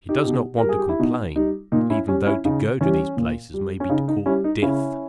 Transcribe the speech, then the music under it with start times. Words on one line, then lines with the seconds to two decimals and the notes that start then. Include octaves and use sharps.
He does not want to complain even though to go to these places may be to court death.
0.09 D#4 G4
0.27 B2
0.58 A#4
0.64 G3
0.69 G#4
0.79 G4
0.89 E4
0.99 B2 D#4
1.36 G3 D#4
1.72 A#2 D#4
1.90 C#4 E4
2.08 G3 C#4
2.27 C#4 E4
2.45 C#3 D#4
2.81 E3 G3 C#4
3.17 A#2
3.54 G3
3.80 C#4
3.89 C#3 D#4
4.08 D#4
4.26 G3 C#4 E4
4.44 D#4
4.62 C#3 C#4 E4